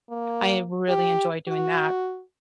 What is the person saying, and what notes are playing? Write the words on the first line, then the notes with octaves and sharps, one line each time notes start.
I really enjoy doing that,
A#3
G4
F#4